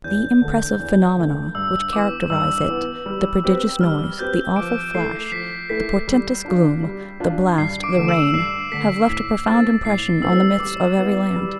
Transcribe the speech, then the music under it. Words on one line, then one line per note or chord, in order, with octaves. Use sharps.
The impressive phenomena which characterize it, the prodigious noise, the awful flash, the portentous gloom, the blast, the rain, have left a profound impression on the myths of every land.
E2 G6
D3 A3
E2
D3 A3
G2 E6
E3 B3 D6
G2 E6
E3 B3
G3
C4 G4 B4
G3 F6
C4 G4 B4 G6
F3 D6 D7
A3 E4 A4 C7
C7
F3 B6
A3 E4 A4 B6
G3
D4 F4
G3
D4 F4
G2 C7
D6 D7
D3 A3
E6 E7
G2 C7
D3 A3 B6
A2 B6
E3 A3 C4 A6
A2 C7
E3 A3 C4 E6
G3 D6
B3 E4
G3